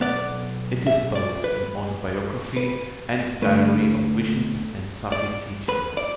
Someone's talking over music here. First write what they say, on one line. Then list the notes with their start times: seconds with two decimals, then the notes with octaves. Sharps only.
It is both an autobiography and a diary of visions and Sufi teachings.
0.01 B1 B2 B3 D5
0.87 E5
1.15 D5
1.44 B4
2.57 B4
3.42 D2 D3 A3 B4
5.12 D5
5.69 B4
5.97 D5